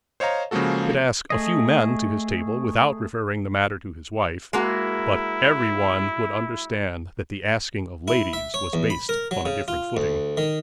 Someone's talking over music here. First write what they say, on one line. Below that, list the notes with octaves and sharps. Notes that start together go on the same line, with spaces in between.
He could ask a few men to his table without referring the matter to his wife; but every one would understand that the asking of ladies was based on a different footing.
C5 C#5 D#5 F5 A#5
C#3 F3 G#3 A#3 F#4 A4
A3 G#4 D#5
G#3 A#3 E4 F#4
E4
E5
C#5
E2
B5
A#4
F#3
C#3
F4
D2
D#3